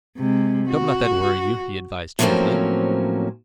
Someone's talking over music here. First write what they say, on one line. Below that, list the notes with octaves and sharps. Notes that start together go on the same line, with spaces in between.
"Don't let that worry you," he advised cheerfully.
C3 G#3
F#4
A2 F3 F#3 A#3 C4 C#4